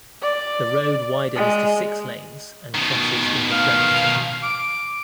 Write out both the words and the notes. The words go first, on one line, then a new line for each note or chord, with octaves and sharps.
The road widens to six lanes and crosses into Flemington.
D5
G#3
B2 D#3
F5
D6